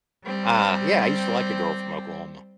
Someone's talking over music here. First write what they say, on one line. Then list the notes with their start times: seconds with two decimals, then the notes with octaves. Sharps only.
Uh, yeah, I used to like a girl from Oklahoma,
0.24 G3 C4